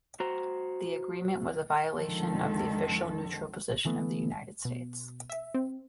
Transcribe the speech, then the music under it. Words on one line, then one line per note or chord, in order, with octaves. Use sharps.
The agreement was a violation of the official neutral position of the United States.
F#4 C5 A#5
F2 D3 D#3 F3 G#3 A4
D3 E3 A3 B3
B2
E5
C4